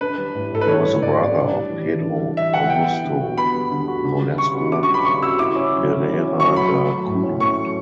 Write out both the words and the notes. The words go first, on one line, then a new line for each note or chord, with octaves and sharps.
He was the brother of Pedro Augusto Nolasco Pereira da Cunha.
D4 B4
G3
A2
A2 A4
B4
D4 C#5
G3
A2 D5
A2
D4
G3
E3
E3
D4
G3
E3 E5
E3 F#5
B3 G5
G3
D3
F#4
B3 B5
G3
D3
F#4
D4
G3
C#3 C#6
F#4
D4 D6
C#6
G3
B5
C#3 C#6
F#4 E6
E4 D6
C#4
F#3
F#3
E4
C#4
F#3 C#6
F#3 B5
A3
F#3
A2
C#4
A3 C#6
F#3